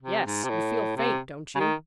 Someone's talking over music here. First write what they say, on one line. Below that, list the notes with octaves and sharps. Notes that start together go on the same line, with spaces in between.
"Yes; you feel faint, don't you?"
C3
G#2
C3
A2
C3
C#3
D#3